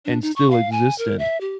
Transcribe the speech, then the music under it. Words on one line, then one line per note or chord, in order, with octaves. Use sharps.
and still existent
D4
D#4
C#6
F5
G#5
A#4
E5
G4